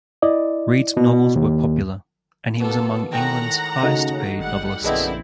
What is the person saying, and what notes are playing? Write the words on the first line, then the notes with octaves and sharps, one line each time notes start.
Reade's novels were popular, and he was among England's highest-paid novelists.
E4 D5 D#5
B2
D#2
B2 A#3 A4
A2 D#3 G#3 F#5 G5 A#5
C#3 A3 D#4 F#4
G#1 G3 F#5
A#1 F#2 D3 B3 C4 E4 G#4 D#5